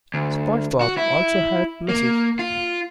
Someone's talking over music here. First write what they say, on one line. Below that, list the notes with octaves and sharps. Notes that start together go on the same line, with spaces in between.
SpongeBob also helps Mrs.
D2
F#4
E4
A#3
F4